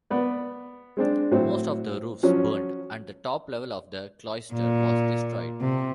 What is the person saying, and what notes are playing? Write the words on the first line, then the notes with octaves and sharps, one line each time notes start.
Most of the roofs burned, and the top level of the cloister was destroyed.
B3 B4 D5
G#3 C4 D4
A2 F#3 C4
F3 F#3 C#4
A#2
C3